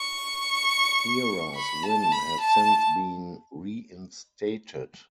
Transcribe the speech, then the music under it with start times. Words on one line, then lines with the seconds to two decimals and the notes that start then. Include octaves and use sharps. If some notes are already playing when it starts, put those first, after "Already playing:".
Heras' win has since been reinstated.
Already playing: C#6
1.56 B5
1.83 A5
2.12 B5
2.40 A5